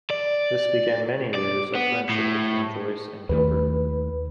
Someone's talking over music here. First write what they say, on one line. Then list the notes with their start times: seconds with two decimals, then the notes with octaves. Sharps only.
This began many years of friendship between Joyce and Gilbert.
0.10 D5
1.34 D5
1.75 B3
2.09 A2
3.29 D#2 D#3 A3 B4